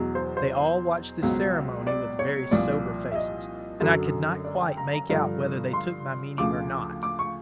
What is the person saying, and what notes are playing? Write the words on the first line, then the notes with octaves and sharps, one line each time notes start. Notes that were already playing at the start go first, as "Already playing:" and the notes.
They all watched this ceremony with very sober faces, and I could not quite make out whether they took my meaning or not.
Already playing: E2 B2 F#3
C5
C5
C#2 B2 F#3
D5
C#5
C2 A#2 F3 D5
E5
D#5
F#2 D3 F#3
D5
G5
A#5
A#5
G2 D3 F3 A#5
C6
D2 C#3 F3 D6
D6
C#6